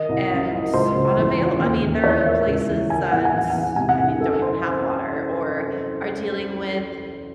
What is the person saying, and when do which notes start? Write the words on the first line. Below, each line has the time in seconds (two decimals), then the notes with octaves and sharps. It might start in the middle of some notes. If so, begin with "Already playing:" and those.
and s unavail I mean, there are places that s I mean, don't even have water or are dealing with
Already playing: D#3 D#5
0.09 C2
0.31 F#2
0.52 F#2
0.74 C#2 C5
0.96 C#2
1.17 E2
1.39 E2
1.60 D#2
1.82 D#2
2.03 E2 C#5
2.25 D#3 E5
2.47 C#2
2.69 E3
2.90 D#3 G#5
3.11 E2 F#5
3.25 G#5
3.33 E2 F#5
3.50 E2 G#5
3.63 F#5
3.76 C3 G#5
3.89 F#5
3.99 C2
4.20 F#2 A4
4.42 C5